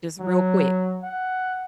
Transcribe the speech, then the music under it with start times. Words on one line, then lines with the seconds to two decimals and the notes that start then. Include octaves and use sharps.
Just real quick.
0.20 F#3
1.03 F#5